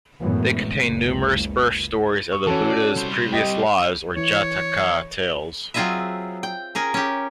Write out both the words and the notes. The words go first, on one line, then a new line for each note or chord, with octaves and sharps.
They contain numerous birth stories of the Buddha's previous lives, or Jataka tales.
F#2 A2 E3 G#3 B3
F#1 C#2
C#6
E3 C#4 F#4 A4
D5
G3 C5
G4 D#5
E3 C#5
F#3 C4 F4 G#4 D#5 E5
G5
C#4 G#4 A#4
C#4 G4